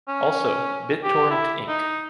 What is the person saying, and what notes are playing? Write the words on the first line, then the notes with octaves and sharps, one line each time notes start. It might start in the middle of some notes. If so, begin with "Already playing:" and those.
Also, BitTorrent Inc.
C#4
G4
E4
D#4